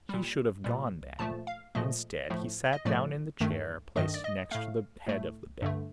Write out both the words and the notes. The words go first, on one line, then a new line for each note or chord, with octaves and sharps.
He should have gone then; instead, he sat down in the chair placed next to the head of the bed.
A#2 G3
A#2 G3
A#2 F3 A3 A5
F5
A#2 F3 A3 D#5
A2 F3 A3
D#5
A2 F3 A3 D5
G2 D#3 A3
G2 D#3 A3 D#5
D5
D#5
A2 A3 F5
A2 A3
G2 D3 A3